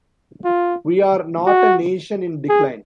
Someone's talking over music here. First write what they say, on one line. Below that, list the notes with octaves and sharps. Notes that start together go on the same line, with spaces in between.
We are not a nation in decline.
F4
F#4
G#4